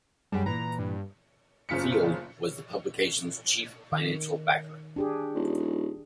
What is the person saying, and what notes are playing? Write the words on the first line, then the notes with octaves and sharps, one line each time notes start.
Field was the publication's chief financial backer.
F#2 G3 G#4 A5
A#2 E3 A#5
G2
F#1 C#3 F4 B6 C#7
D#3
D4 G4 G#4
D#1